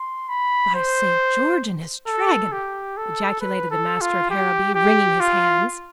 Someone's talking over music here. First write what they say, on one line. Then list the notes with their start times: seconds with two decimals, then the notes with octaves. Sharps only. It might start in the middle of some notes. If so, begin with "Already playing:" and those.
"By St. George and his Dragon!" ejaculated the master of Harrowby, wringing his hands.
Already playing: C6
0.29 B5
0.74 C5
2.07 A4
2.52 G4
2.97 A4
3.41 B4
3.71 A4
4.01 F4
4.31 G4
4.75 G4
5.20 F4